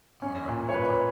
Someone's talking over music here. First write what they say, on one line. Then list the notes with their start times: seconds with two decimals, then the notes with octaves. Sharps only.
Alright. Bye-bye.
0.22 C#4
0.48 A#2
0.69 C#5
0.74 A#2 B4